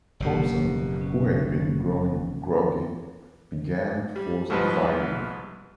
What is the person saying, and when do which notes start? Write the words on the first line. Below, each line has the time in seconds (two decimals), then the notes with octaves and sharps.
Thompson, who had been growing groggy, began to force the fighting.
0.20 F#1 B2 A#3 G4 F#5
1.01 C#4
4.16 G3
4.50 C2 G#2 F3 G3 B4 D#5